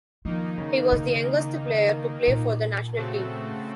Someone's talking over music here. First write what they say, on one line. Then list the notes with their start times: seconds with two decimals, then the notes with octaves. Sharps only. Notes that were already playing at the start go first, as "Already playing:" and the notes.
He was the youngest player to play for the national team.
0.25 D#3 F3 A#3 D#4
0.58 C#3
0.92 C#3
2.27 A#2
2.96 C#3 A3 C4 F#4 A4